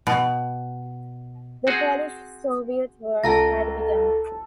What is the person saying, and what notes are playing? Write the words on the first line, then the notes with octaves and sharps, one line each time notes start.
The Polish-Soviet War had begun.
B2
C4 F#4 G#4
C#2 A4 A5 A#5 A#6